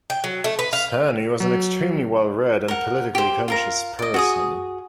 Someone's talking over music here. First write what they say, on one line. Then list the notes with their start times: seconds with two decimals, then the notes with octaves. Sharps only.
Sahni was an extremely well-read and politically conscious person.
0.10 G5
0.24 F#3
0.44 A3
0.59 B4
0.73 F5
1.40 F#3
2.68 A#4 F#5
3.15 G4 C5
3.48 F4 A#4 A#5
3.99 D5 D#5
4.14 F#4 G#4 D#6